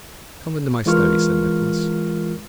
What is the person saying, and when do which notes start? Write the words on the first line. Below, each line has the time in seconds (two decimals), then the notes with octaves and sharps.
"Come into my study," said Nicholas.
0.86 E3 G#3 F4 A#4 C#6 F6